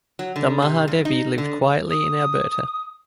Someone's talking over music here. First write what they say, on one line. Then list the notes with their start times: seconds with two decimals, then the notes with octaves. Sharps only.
The Mahadevi lived quietly in Alberta.
0.19 F#3
0.36 D3
0.62 C3
0.88 G2
1.05 D#4
1.38 D3
1.90 D#6